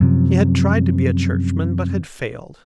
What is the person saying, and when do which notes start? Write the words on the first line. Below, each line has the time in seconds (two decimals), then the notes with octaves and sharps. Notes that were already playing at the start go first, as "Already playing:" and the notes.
He had tried to be a churchman but had failed.
0.01 F#2 C3 F3